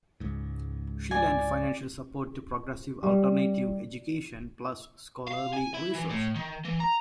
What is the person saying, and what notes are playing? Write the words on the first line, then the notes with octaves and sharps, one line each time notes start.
She lent financial support to progressive alternative education plus scholarly research.
C#2 G#2
D5 G#5
G3
F5
G#5
E4
E3
A2
D#3
E3
A#5